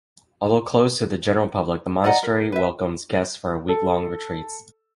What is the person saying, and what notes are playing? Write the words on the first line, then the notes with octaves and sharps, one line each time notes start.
Although closed to the general public, the monastery welcomes guests for week-long retreats.
D5 D#5 F#5 A#5
A#4
B4 E5
A4